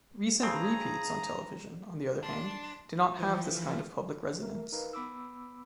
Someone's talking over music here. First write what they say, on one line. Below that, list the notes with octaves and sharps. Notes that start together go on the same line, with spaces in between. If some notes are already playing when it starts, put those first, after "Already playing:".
Recent repeats on television, on the other hand, did not have this kind of public resonance.
G2 C#3 C4 G#4 A#5
D4 A5 C6
E3 F3
A3 A#4
D#4 A#4 B4 F5
B3 B5 D6 E6